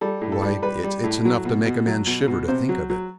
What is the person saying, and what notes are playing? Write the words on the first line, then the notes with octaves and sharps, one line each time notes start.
Why, it's enough to make a man shiver to think of it.
G3 A4
A2
A4
G3
G3 B4
G3
A2
F#3
B2
B2
F#3
B2
B2
C3 C5
F#3
F#3